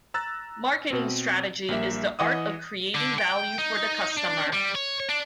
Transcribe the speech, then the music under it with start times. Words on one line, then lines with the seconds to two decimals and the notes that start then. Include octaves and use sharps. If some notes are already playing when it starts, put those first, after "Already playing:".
Marketing strategy is the art of creating value for the customer.
0.14 A#5 E6 F#6 A6
0.91 B2 C4
1.68 A#1 G3 A#3 E5
2.19 E3 D#5 F#5 D#6
2.95 D3
3.19 G5
3.58 D#4
4.18 D4
4.54 G3
4.75 C#5
5.09 D4